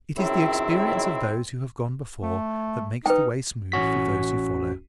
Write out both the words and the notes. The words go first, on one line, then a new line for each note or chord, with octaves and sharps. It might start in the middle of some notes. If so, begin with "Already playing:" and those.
It is the experience of those who have gone before that makes the way smooth for those who follow.
C#2 F#2 D#3 C4 E4
A3
D#4 B4 G5
A1 C#4 F#4 B6